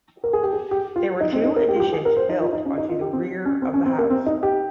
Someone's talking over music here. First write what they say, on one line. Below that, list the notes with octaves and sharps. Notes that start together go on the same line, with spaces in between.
There were two additions built onto the rear of the house.
A#4
G#4
G4
G#4
G4
F4
D#4
C4
D#4
A#4
G4
F4
G4
G#4
A#4
C5
D#4
F4
D#4
C#4
D#4
F4
G4
C4
C#4
C4
C#4
C4
A#3
C4
D#4
G4